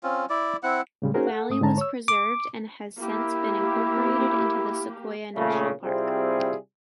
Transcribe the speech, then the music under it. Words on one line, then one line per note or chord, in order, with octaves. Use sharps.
The valley was preserved and has since been incorporated into the Sequoia National Park.
C4 C#4 F4
E4 D5
C4 E4 F#5
A2 C#3 G3 G#3
C#4 D#4 F#4 G#4 A#4 C5
A4 F#5
G#2 A3 D#6
G#2 D3 G#3 A5 A#5
C#5 E6
D6
A#3 E4 G4
A#2 C#3 A3
C3 G3 C4 E4 F4 G#4